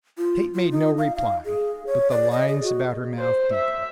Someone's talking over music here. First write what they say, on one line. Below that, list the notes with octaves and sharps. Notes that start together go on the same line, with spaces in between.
Kate made no reply, but the lines about her mouth deepened.
F4
F4
D#4
F5
F5
G#4
C#5
D5
D#5
G#4
F#4
C5
E5